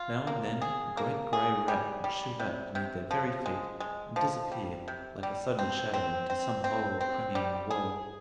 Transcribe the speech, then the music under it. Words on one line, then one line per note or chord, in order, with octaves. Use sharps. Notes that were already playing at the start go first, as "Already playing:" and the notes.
Now and then a great gray rat would shoot out beneath their very feet, and disappear, like a sudden shadow, into some hole or cranny in the wall.
Already playing: F4
A#3
G#4
A#3
G#4
G3
G3
C3
C3
F3
G#3
G#3
F3
G3
C3
G3
C4
C4
C4
C4
C4
G3
G#4